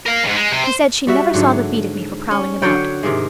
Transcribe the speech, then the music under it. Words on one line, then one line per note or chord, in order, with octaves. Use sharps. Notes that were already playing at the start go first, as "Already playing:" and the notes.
She said she never saw the beat of me for prowling about.
A#4 F5
F2 G#2
G#3
C3
C5
G3 F#4 E5
G#2 D3 F#3 A4
C#4
D3 F#3 C#5 G5
G#2 C3 D#3 G#3